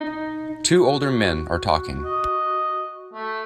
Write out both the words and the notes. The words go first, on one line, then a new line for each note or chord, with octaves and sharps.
Two older men are talking.
D#4
F#4
D#5
A3